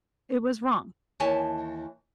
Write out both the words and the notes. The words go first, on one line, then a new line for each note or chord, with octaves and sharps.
It was wrong.
D#2 E3 C#5 E5 G#5 A5